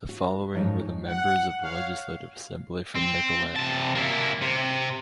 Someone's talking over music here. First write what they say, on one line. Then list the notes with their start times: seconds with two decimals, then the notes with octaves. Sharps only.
The following were the members of the Legislative Assembly from Nicolet.
0.09 F#4
0.54 G#2 F3 F#3 D#4
1.07 F#5
1.63 C#5 F5
2.95 C4
3.56 C3 A5
3.95 A#3 E4
4.41 C3